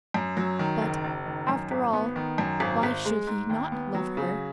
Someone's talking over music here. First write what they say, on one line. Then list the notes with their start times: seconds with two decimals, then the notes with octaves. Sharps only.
But, after all, why should he not love her?
0.14 F#2
0.37 F#3
0.59 D#3
0.82 F#1
1.04 F#1
1.26 D#3
1.49 F#2
1.71 G#1
1.93 B3
2.16 D#3
2.38 F#2
2.60 G#1
2.83 G#1
3.05 G#3
3.27 G#2
3.49 D#2
3.72 B3
3.95 F#3
4.17 C#3